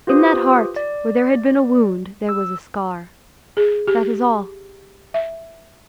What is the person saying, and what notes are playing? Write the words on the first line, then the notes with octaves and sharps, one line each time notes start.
In that heart, where there had been a wound, there was a scar. That is all.
F4 G4 B4 C5 D#6
D5
E6
G#4
G4
E5